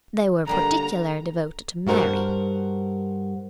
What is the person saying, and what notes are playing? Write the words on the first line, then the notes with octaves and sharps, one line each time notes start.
They were particularly devoted to Mary.
D3 G3 A#3 A#5
G2 F#4 A#4 C5 F#5